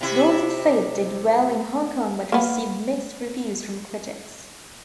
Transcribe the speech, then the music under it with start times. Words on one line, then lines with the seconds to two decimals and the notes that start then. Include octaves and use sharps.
"Golden Faith" did well in Hong Kong but received mixed reviews from critics.
0.01 C3 E4
2.32 A#3 B3